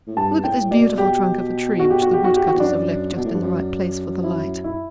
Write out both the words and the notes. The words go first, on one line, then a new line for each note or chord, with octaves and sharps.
Look at this beautiful trunk of a tree, which the wood-cutters have left just in the right place for the light.
A2
G2 A5
A2 G5
A2
B2 D5
G4
F#4
G4
F#4
G4
F#4
G4
F#4
E2
F#2 D4
B2
A2
G2
F#2
E4
E4